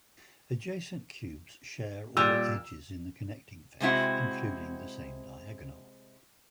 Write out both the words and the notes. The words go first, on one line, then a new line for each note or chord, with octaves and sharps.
Adjacent cubes share all edges in the connecting face, including the same diagonal.
A#2 G3 E6
C3 G#3 C4 E4 F#4